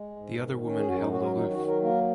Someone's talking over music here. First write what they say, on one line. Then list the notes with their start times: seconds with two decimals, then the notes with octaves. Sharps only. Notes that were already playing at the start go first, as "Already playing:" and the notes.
The other woman held aloof.
Already playing: G#3
0.16 G#2
0.40 D#3
0.64 C#4
0.78 G#4
0.87 F#2 F#4
0.99 D#4
1.11 F#3 F#4
1.24 A#4
1.35 D#3 D#4
1.52 F#4
1.59 F#3
1.67 A#4
1.82 A#3 A#4